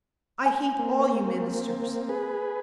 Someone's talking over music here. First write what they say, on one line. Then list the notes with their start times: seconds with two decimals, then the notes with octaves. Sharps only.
I hate all you ministers.
0.46 G#5
0.79 A#3 C4
2.09 G#4 B4